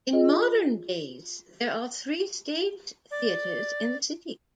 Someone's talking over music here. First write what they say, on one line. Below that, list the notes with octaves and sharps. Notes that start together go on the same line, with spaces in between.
In modern days there are three stage theatres in the city.
F4 G#4 D#5
D5